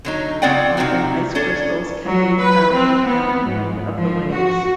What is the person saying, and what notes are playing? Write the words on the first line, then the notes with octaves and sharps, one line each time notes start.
Often, ice crystals can be found downwind of the waves.
D3 F#3 D#4
C#3 C4 F4 D5 F#5 G5
C3 D#3 A3 C4 D#4 F#4
C#4 D4 A4
F#3
B4
C4
B3
G#2
F3
F#4